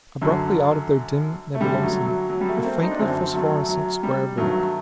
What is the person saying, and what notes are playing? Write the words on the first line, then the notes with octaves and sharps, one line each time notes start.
Abruptly out of their dim nebulosity a faintly phosphorescent square broke.
F#2 D3 F#3
A3
F#2 D3 G3
F#3 A3
F#3
F#3
G3
A3
A#3
A3 C4
D#4
D4
F#2 D3 A3 C4
F#3 A3
F#3
G3
G2 D#3 F#3 A3